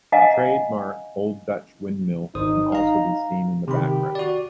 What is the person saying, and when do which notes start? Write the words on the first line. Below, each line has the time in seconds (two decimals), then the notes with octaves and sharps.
The trademark Old Dutch windmill can also be seen in the background.
0.12 D#5 F5 F#5 G#5 A#5
2.35 G#1 D#4 C5 D#6
2.72 F5 A#5
3.68 C3 D#3 G4 B5
4.15 F#4 D5